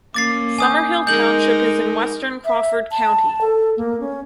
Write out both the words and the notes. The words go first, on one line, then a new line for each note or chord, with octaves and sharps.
Summerhill Township is in western Crawford County.
A#3 C#4 D6 A6 C7
G#5 D#6 G6
G#3 D#4 A#4 G6 F#7
E5
A5
A4
A#3
C#4